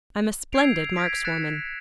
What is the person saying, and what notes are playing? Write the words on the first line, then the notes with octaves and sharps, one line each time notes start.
"I'm a splendid markswoman."
E6 G6 G#6 C7 D7 F7
G6 G#6 A#6 B6 D7
F#6 G#6 A6 B6 C#7 E7